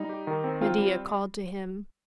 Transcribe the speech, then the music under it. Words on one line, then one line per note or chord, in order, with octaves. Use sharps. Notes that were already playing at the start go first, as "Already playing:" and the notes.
Medea called to him.
Already playing: G3 D#4
G4
D#3
C4
C4 F4
G3